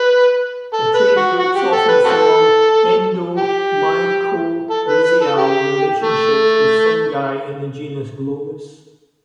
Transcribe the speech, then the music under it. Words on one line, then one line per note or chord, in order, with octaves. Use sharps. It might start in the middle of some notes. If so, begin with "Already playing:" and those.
The tree's roots often form endomycorrhizal relationships with fungi in the genus "Glomus".
Already playing: B4
A4
B4
F#4
F#4
G4
A4
B4
C4 F#4 A4
G4
A4
B4
B4
A4
G4
A3